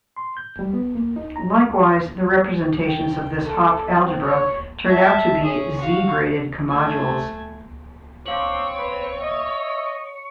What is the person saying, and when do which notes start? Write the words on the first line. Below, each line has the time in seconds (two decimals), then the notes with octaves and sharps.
Likewise the representations of this Hopf algebra turn out to be Z-graded comodules.
0.16 C6
0.37 G6
0.59 G3
0.73 B3
0.95 A#3
1.16 D#4
1.36 A#5
2.86 G5
3.44 A4
3.95 C4
4.25 C#5
4.87 E5 A5
5.43 C#4 G#4
5.79 F#4 F5
6.69 A3 G#5
8.26 C4 D4 C#5 F5 F#7
8.78 B4
9.20 D#5 E5